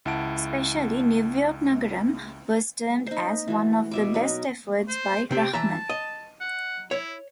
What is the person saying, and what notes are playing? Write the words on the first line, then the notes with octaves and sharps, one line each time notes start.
Especially, "New York Nagaram" was termed as one of the best efforts by Rahman.
C#2 E4 F#5 A5 D7
D#4 C5
E3 F#4
B2 E5 D6
F#3 D#4 B4
C5
C3 C4 G5
E3 E5 A5 A#5
D#5
F#5
E4 C#5